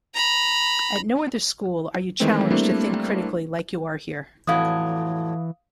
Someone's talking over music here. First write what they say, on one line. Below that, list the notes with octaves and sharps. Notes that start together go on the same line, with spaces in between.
At no other school are you challenged to think critically like you are here.
A#5 B5
D#3 E3 G#3 A3 C4
G3 A3 A#3 C4 D4 E4
F2 A2 E3 F#3 F5 D#6